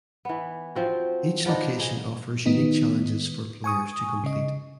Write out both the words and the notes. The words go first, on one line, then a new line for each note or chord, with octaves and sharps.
Each location offers unique challenges for players to complete.
E3 B3
F3 C4 F#4
F3 B3 D4 D#4
D#4 G#4
D#3 B3 D#4
G#5 C#6 D#6
C#3 D#5